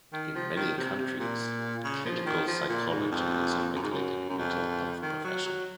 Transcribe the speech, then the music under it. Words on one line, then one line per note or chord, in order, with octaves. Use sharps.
In many countries, clinical psychology is a regulated mental health profession.
D#3
F3
D#3
C3
C3
A#2
C#3
F3
D#3
F3
A#2
G#2
F2
F#2
G#2
F#2
F#2
F2
D#3
F#3
F#3